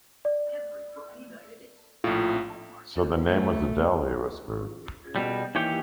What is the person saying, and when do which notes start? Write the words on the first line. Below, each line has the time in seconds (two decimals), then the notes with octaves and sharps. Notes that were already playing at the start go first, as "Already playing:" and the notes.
"So the name was Adele," he whispered.
0.25 D5
2.04 A#1 A2 F4
3.25 A3
5.16 B2 G3
5.55 D#2 E3 G4 C#5 G5